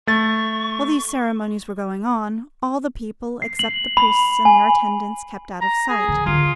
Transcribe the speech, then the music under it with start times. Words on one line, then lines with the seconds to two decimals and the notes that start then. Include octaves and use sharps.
While these ceremonies were going on, all the people except the priests and their attendants kept out of sight.
0.07 A3 C#6 A6
3.42 C7
3.59 F#7
3.97 B5
4.45 G#5
5.61 A#5
5.89 G#4
6.08 D#3 F3
6.26 D3 D#3 F4